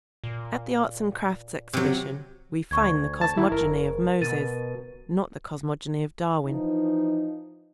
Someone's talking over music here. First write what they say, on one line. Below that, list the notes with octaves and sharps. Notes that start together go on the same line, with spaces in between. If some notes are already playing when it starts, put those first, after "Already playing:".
At the Arts and Crafts Exhibition we find the cosmogony of Moses, not the cosmogony of Darwin.
A#2
C3 F#3
D2 C#6 G#6
A5
D#3 E4
F#1 A#4
B2 A6 D#7
E3 F3 D#4